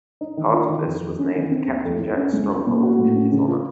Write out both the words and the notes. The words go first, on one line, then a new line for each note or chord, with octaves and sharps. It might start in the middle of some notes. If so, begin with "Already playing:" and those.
Part of this was named Captain Jack's Stronghold in his honor.
D#4
D#3
F4
D#3
F2
F2
C#4
D#3
C4
D#2
F2
F2
C#4
C#2
C#4
A#2
F#4
A2
C#4
C#3
F4